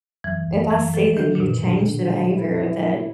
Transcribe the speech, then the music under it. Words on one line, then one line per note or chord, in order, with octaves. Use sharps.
if I see that you've changed the behavior that
F#2 E3
F#2
F#2 E3
F3 A3
D3 D#3
A#2
F#2 B2
D3
D3
G3
E4
E4
E4